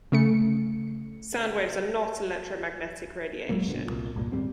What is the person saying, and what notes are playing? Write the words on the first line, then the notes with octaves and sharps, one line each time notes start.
Soundwaves are not electromagnetic radiation.
C#3 A3 C#7
D#1 F#3 G#3 A#3
G1 B2 D3
C2 A#2
C2 G2 A#2
D#2 G#2 G3 C4